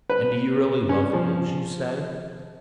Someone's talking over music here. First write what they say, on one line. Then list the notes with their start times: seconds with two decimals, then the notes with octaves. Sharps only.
"And do you really love me as you say?"
0.10 B4
0.89 C#4
1.13 F3